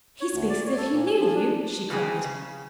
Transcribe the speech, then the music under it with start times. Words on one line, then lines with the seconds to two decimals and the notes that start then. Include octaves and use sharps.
"He speaks as if he knew you!" she cried.
0.21 C#5
0.32 D2
0.49 D5
0.66 C#5
0.78 A4
0.93 A#2
1.07 G#5
1.20 F3
1.34 D4
1.90 C#3 E3 C4 G#4
2.24 C#3